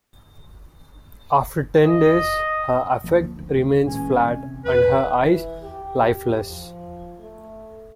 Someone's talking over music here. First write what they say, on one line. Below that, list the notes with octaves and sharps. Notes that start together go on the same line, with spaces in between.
After ten days, her affect remains flat, and her eyes lifeless.
D#5
D2 F3 A#3
D2
A#2 E3 G#3 C#4
C3
E2 B4
E3
G4
F3
A3